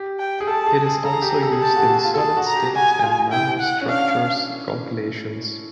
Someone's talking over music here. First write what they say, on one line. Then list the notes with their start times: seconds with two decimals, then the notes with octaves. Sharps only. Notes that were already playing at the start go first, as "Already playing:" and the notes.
It is also used in solid state and nanostructures calculations.
Already playing: G4
0.19 G5
0.41 G#4
0.47 A4 A5
0.66 G#4
0.86 G#4
1.05 A4 A#5
1.13 G#4
1.22 G4
1.30 G#4
1.43 A4
1.52 G#4
1.62 G4 A5
1.76 F#4
1.89 F#4
2.05 F4
2.14 A4
2.18 G#4 A5
2.37 F#4
2.47 A#5
2.56 G4
2.68 G4
2.75 F#4 G#5
3.04 F4
3.31 E4 G5
3.60 F#5
3.81 C#4
3.88 D4 F5